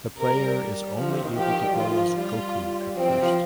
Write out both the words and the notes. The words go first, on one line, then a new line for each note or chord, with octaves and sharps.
The player is only able to play as Goku at first.
C3 A#4
G3
G3
F3
C3
D#3
F3 G4
D#3
G3
F3 F4
D#3
F3
G3 F4
F3 C4
C3
F3